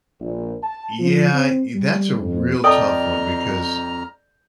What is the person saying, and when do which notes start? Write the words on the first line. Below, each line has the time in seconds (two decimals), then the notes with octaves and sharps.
Yeah. E that's a real tough one because e
0.20 A#1
0.63 A5
0.99 F3
1.33 C4
1.75 G3
2.19 F2
2.64 F2 A4 D5 D#5 G5 A5 A#5 F6